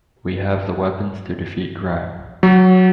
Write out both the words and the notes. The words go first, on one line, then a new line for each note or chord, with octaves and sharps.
We have the weapons to defeat crime.
F#3